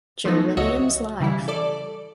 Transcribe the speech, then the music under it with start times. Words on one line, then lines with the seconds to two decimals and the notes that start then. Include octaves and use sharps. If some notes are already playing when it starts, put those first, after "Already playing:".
Joe Williams Live!
0.25 F3 F#3 A3 B3 D#4
0.57 C#2 F#4 C#5 D#5 E5
1.20 C#3 E3 G3 E4
1.48 A4 D5 D6